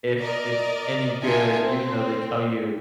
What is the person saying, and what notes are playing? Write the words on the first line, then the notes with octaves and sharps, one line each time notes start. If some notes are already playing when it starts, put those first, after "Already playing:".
if it's any good even though they tell you
A#4 D5 D#5
D#4 F4 E5 G#5 A5
C4